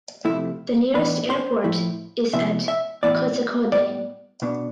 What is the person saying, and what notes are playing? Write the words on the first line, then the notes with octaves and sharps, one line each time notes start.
The nearest airport is at Kozhikode.
C3 F3 A3 E4
A2 E3 B3 D4 B4
C5
A2 F3 A3 E4
C3 F3 B3 E4 E5
E5
A2 E3 B3 E4 D5
A2 G3 B3 D5
B2 B3 D4